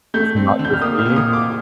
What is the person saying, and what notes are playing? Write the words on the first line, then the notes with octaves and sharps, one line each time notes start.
not just me."
A3 G6
C4
D3
G6
F6
A#3 D#6
F6
A#2
D#6
A#2
D6